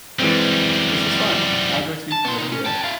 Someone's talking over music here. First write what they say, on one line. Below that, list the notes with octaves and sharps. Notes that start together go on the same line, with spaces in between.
this was fun. I enjoyed speaking with you.
F#2 E3 G3 G#3 C4
A5
B3 C6
C3 D#4
C#4
G5 A5
E4 F5